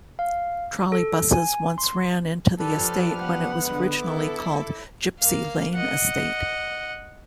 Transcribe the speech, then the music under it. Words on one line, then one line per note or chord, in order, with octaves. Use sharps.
Trolleybuses once ran into the estate when it was originally called Gypsy Lane Estate.
F5
A4
G#5
C6
F3 D4 G4 A4 B4 F6
B3 F#5
D3 G#3 B4
E4 A4 D6
A#3 F5
D#5 F#5